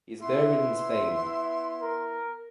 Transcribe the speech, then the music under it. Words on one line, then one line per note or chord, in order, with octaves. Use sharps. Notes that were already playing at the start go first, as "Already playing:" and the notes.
He is buried in Spain.
B3 E4 E5 C6
A#4